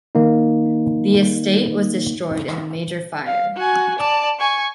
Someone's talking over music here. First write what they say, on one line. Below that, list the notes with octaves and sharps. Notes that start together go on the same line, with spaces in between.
The estate was destroyed in a major fire.
D#3 A#3 D#4
F5
F#4 G#5
D5 A5
G#5 C#6